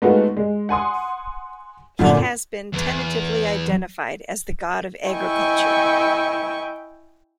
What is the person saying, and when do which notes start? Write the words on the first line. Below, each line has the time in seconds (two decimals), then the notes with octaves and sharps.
He has been tentatively identified as the god of agriculture.
0.02 G#3 A3 B3 D#4 F4 F#4
0.37 G#3
0.69 F#5 G#5 C6 D#6
1.99 F#2 A#2 D3 D5 A5
2.73 E2
5.07 E4 D#5 G5 G#5 C#6